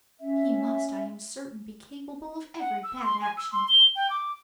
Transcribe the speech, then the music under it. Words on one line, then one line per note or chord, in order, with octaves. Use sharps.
He must I am certain be capable of every bad action!
C#4 E5
F#5
E6
C6
G#5
E6
C6
G7
G5
D6